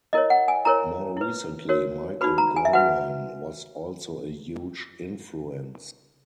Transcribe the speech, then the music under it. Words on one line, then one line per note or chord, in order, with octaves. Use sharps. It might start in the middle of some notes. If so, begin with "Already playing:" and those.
More recently Michael Gorman was also a huge influence.
E4 A#4 C#5 D#5
F#5
G#5
E4 A#4 C#5 A#5
E4 B4
F#4 A#4 C#5
D#4 F#4 B4 B5
A#5
G#5
E5
F#4 B4 F#5